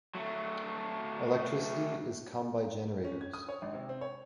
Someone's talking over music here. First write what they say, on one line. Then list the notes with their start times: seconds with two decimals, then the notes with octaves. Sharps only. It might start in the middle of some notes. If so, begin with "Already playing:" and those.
Electricity is come by generators.
0.15 F#3 A3
3.04 C#4
3.21 G#6
3.34 D#6
3.49 C#5
3.62 G#1
3.74 C3
3.89 C4
4.01 C#5